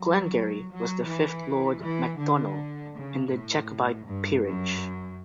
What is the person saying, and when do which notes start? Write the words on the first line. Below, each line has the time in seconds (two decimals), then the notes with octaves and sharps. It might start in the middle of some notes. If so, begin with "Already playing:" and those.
Glengarry was the fifth Lord MacDonell in the Jacobite peerage.
Already playing: F#3
0.69 F#3
1.06 E3
1.81 E3
2.18 D3
2.94 C#3
3.30 A2
4.06 G2
4.44 F#2